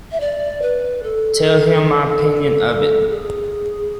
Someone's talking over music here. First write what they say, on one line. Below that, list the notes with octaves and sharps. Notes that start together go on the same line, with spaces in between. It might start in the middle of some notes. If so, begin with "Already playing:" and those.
Tell him my opinion of it.
E5
D5
B4
A4
A4
G#4